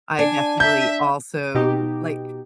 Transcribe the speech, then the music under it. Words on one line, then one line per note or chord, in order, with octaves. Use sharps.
I definitely also, like
D4 G#5
E5 G6 B6
B2 D#4 G4